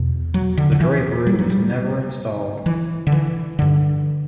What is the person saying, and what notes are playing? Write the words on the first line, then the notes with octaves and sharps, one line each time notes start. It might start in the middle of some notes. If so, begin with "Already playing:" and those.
The drapery was never installed.
Already playing: E2 B2
F#3
D3
D3
E3
G3
F#3
G3
E3
D3
E3
G2 D3